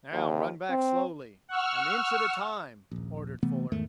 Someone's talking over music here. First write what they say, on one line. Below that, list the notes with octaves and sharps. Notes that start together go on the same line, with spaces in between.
"Now run back slowly--an inch at a time," ordered Fuller.
D#2
C4
F#5 C#6 E6 F6
D#1 A#1
C3 E3 A3 B3
E2 G#2 D#3 A3